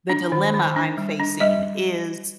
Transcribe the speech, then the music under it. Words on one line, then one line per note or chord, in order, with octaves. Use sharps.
the dilemma I'm facing is
D4
D#3
D#3
D4
G3
D4
G3 D#5